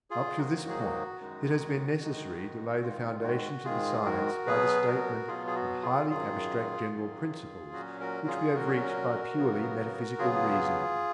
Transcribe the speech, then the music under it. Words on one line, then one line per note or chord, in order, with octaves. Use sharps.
Up to this point it has been necessary to lay the foundations of the science by the statement of highly abstract general principles which we have reached by purely metaphysical reasoning.
F4 G#4
G#2 D#3 F#3 A#3 D#4 F#4
G#4
F#4
F#2 D#3 G#3 D#4
F#2 D#3 G#3 D#4
G#2 D#3 G#3 F4
F#4
G#2 D#3 G#3 F4 G#4
F#4 A#4
B2 F#3 B3 G#4 B4
G#4
F#4 A#4
B2 F#3 B3 F4 G#4
G#4
F#4
F4 G#4
F#2 D#3 F#3 F4 G#4
F#2 D#3 F#3
A#2 F#3 C#4 F#4
F#4 A#4
F4 G#4
A#2 F#3 C#4 F#4 A#4
C#3 F#3 B3
C#3 F#3 B3 F4 G#4